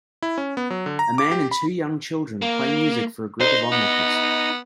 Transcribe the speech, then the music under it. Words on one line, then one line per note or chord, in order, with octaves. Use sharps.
A man and two young children play music for a group of onlookers.
E4
C#4
B3
F#3
D3
A#5
D6
G4
B5
A#3
D#4 C5
B3